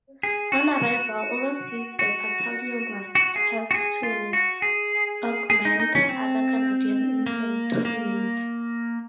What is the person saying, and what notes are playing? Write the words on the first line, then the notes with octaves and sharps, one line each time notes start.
On arrival overseas the battalion was dispersed to augment other Canadian infantry units.
G#4
F#4
F#4
F#4
G#4
F#4
G#4
F4
F#4
G#4
G#4
D#4
D#4
C#4
C4
A#3
A#3